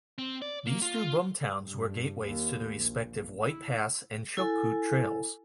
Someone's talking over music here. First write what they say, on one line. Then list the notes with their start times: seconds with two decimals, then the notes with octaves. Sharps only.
These two boom towns were gateways to the respective White Pass and Chilkoot trails.
0.18 C4
0.42 D5
0.67 A#3
0.82 F4
1.63 G2
2.26 D#2
2.76 A#1
3.39 E4
4.37 E4 A4 G#5